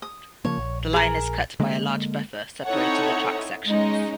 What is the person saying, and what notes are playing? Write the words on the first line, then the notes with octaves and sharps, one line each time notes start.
The line is cut by a large buffer separating the track sections.
D#6
C#3 F3 A#3 C#5
A#1
G#4 A#4
D3 G#3 A#3
C4 D#4 E4 A4 C#5 F#5
G#3 C#4 D#4